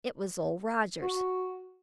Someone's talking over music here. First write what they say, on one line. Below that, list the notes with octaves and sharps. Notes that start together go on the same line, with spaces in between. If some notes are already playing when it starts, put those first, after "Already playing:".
It was Old Rogers.
F#4